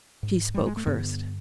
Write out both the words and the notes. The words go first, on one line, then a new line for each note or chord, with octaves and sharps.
She spoke first.
G#2
G3
G#3
A3
G2 D3 B3